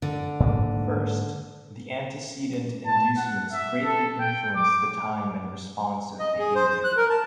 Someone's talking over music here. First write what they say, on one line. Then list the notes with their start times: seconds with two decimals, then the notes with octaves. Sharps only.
First, the antecedent inducements greatly influence the time and response of behavior.
0.02 D3
0.40 G#2 A#3
2.86 A5
3.17 F#5
3.52 E5
3.84 A4
4.20 G5
4.56 D6
6.19 D#5
6.39 G#4
6.55 C5
6.70 C5
6.84 F#6
6.97 A#4
7.10 A5